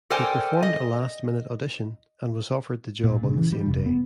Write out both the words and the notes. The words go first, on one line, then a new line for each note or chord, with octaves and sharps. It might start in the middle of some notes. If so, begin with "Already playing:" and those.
He performed a last-minute audition, and was offered the job on the same day.
A4 A#4 C5 D5 G5 G#5
D#5
A#2
C#3
E3
G3
F1
B3